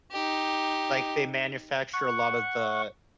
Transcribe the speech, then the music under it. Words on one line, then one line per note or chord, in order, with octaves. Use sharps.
Like, they manufacture a lot of the
D#4 G4
F#5 C#6